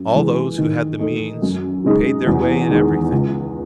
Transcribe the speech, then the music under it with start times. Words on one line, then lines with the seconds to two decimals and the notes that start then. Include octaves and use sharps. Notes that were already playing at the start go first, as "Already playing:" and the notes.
All those who had the means paid their way in everything.
Already playing: F#2
0.15 E3 G#3
0.58 D#3
0.99 A3 D#4
1.42 F#2
1.84 C#3 G#3 D#4
2.27 E2
2.69 D#3 G#3 D#4
3.11 C#2